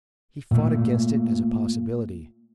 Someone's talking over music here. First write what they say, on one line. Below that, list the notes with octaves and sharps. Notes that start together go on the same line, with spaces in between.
He fought against it as a possibility.
A#2 A3